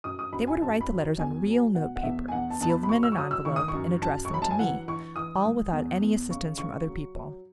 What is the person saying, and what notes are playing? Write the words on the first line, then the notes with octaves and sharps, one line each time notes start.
They were to write the letters on real note paper, seal them in an envelope, and address them to me, all without any assistance from other people.
F#2 D#6
D#6
F#2 B5
G#5
F#2 A5
B5
F#3
E2 G#5
F#3
B2 F#5
F#5
E2 E5
G#5
E2 F#5
A5
E2 A5
B5
B5
F#3 C#6
E6
C#6
F#3 D#6
E6
D#3 C#6
D#6
C#6
F#2
F#2 A5
C#6
F#3 B5
A5
G#5
E3 F#5
E3 C#6
E3 D#6
G#2
E2
E2
C#3 C#6
C#3 C#6
F#3
F#3